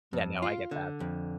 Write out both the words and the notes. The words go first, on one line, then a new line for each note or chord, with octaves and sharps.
Yeah, no, I get that.
F2
F4
D3
F2